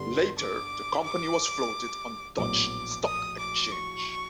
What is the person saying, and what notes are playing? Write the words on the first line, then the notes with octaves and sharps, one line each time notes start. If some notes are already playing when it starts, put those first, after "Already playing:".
Later the company was floated on the Dutch stock exchange.
Already playing: G2 D3 G3 B3 D4 C6
D6
D6
A#1 A2 F#3 B3 D6
D#6
D6
C#6